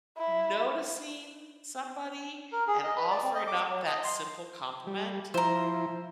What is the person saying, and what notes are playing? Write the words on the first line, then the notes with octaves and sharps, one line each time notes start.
noticing somebody and offering up that simple compliment,
E4
A#4
G#4
D#5
B4
D5
C4
D#5
D6
F#3
D#5
C6
G3
F3 E4 C5 A#5